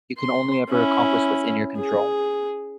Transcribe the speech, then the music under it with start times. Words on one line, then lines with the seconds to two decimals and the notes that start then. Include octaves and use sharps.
You can only ever accomplish what's in your control.
0.19 C6
0.69 C#4 E4
1.77 G#4